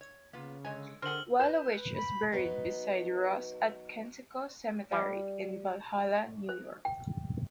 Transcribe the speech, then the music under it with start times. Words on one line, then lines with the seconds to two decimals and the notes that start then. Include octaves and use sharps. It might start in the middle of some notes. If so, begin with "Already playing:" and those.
Wallowitch is buried beside Ross at Kensico Cemetery in Valhalla, New York.
0.01 C#5
0.33 C#3 A#3 B3 F4
0.65 D3 G#3 C#5 G#5
1.02 D3 C4 G#4 A#4 F#5 F6 F#7
1.39 B4 G6 E7
1.96 B5
2.32 F#3 B3 D#4 B4
4.92 G3
6.49 C5
6.85 G5